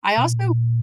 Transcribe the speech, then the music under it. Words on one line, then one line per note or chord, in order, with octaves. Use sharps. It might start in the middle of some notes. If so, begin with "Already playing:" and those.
I also
B2
A#2